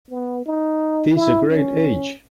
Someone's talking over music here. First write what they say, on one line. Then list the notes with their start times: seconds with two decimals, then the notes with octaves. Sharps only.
'Tis a great age!
0.10 B3
0.46 D#4
1.15 E4
1.50 C#4